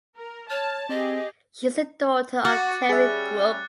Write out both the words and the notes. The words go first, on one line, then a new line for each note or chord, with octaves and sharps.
She is the daughter of Terry Grourk.
A#4
C#5 A5 F6
C4 G4 G#4 D#5
F#4 F#5 D6 A6 C#7
G3 C#4 G#4 E5 F#6 A6